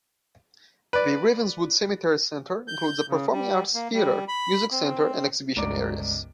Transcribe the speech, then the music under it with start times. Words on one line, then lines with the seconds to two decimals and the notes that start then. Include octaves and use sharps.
The Ravenswood Centenary Centre includes a Performing Arts theatre, music centre and exhibition areas.
0.93 B4 D5
2.68 G6
3.09 C#3
3.32 G3
3.75 A#3
3.93 G3
4.28 B5
4.72 C4
5.56 G1 C#2 D5 A#5 D6 D7